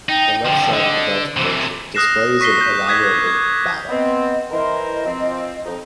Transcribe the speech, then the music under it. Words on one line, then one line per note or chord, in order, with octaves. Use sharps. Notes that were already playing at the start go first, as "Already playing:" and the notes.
The left side of the belt closure displays an elaborated battle.
D#4 G5
D3 F3 G5
D3 D#5
C3 E3 C5
D#6 F6 F#6 A#6 C7 E7
C#6 B6 C7 G7
G6
D6 D#6 F#6 G#6 B6
G#6
B3 C4 D#5
E3 A#4 C5 D#5
F3 C4
F2 D#4